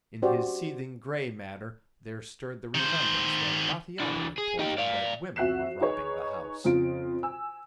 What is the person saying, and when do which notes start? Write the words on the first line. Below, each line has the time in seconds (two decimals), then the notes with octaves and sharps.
In his seething gray matter there stirred the remembrance that Bateato had told him that women were robbing the house.
0.22 C#4 F#4 G4 C5 D5
2.75 D#3 C5
4.00 E3 D4
4.38 G#4
4.59 D#4 G4
4.78 D5 F5
5.36 F2 F#4 E5 F#6 C7 E7
5.81 D#4 G#4 B4 C#5
6.64 F2 C#3 F4 D7
7.23 G#5 E6